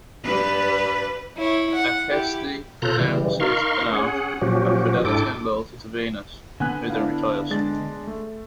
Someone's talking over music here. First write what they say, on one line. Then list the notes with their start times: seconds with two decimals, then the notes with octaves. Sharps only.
Aceste pronounces an oath of fidelity and loyalty to Venus, who then retires.
0.23 G2 G3 B4
1.37 E4 C#5
1.74 F#5
2.10 E4 G4
2.82 B2 F4 A4 A#5 F#6 G6
2.99 C#3 E3 G3
3.40 D#4 A#4 F5 C6 C#6
3.92 C#4 G#4 F#5
4.41 A#2 F3 F#3 C#4 F#4 G4
5.05 G#2 D4 E4 A4 G5 D6
6.60 D3 B3 B4 F#5 G#5 F#6
6.90 D4 E4 F5
7.51 G#3 D4 A6
8.07 A3